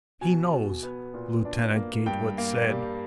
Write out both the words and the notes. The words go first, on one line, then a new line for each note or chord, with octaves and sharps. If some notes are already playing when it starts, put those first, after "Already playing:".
"He knows," Lieutenant Gatewood said.
B2 G#5
B2
B3
A#2
D4
A#3
G2 G5
A#3
G3